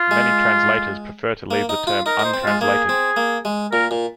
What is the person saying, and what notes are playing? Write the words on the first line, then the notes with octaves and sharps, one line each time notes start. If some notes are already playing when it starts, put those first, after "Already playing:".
Many translators prefer to leave the term untranslated.
Already playing: F4
G#3
A#3
D#4
F4
D#4 A#4
D#4
C5
C4
G#3 F4
A#3 G#4
C4
A#3
G#3
A#2 A#4
A#2